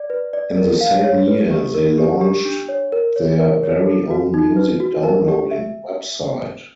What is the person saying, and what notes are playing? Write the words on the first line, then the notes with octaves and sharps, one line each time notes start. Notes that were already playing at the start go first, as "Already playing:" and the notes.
In the same year, they launched their very own music downloading website.
Already playing: D5
B4
D5
A#4
F5
C#5
B4
G4
A#4
G4
G4
D4
C#5
A#4
C#5
A#4
C#5
A4
F#4
D#4
B4
F#4
A#4
G4
E5